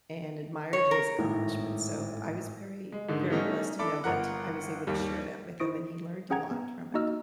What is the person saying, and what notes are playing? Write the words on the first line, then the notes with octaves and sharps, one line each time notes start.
and admired his accomplishments, so, I was very very blessed to know that I was able to share that with him, and he learned a lot from it.
C#5
A#4
G#1 A2
G#3
G#2 D3 D#3
G3 A3 B3 C#4 D#4
D4 E4 A4 B5 D6
G1 A#4 F#5
D#2 G3 A#3
E4 C5 C#6 D#6 A#6 D7
C#4 G#4 F#5 G5 A#5 G#6
B3
A#3 D#4 F#4 D#5 E6 F6